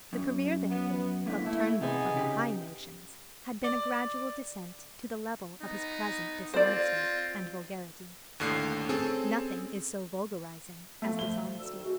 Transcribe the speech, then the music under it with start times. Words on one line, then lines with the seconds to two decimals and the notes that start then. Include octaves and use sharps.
The career, therefore, of Turnbull of the high notions had been a gradual descent to the level of his present dishonesty and vulgarity; nothing is so vulgarizing as dishonesty.
0.13 F#2
0.70 B3
1.26 A2 D3 A#3 E5
1.45 A3 E4
1.81 C3 B3 D#4 G#4
2.14 C#3 G4
3.64 D5
5.61 B3 D#4
6.54 C4 F4 C5 D5
8.40 D#2 A2 D3 F#6 C7
8.89 C4 C#4 G#4 A4 G#5
11.02 F3 A3
11.19 G7
11.59 D2 D#3 E6
11.83 G#3 A3 F#4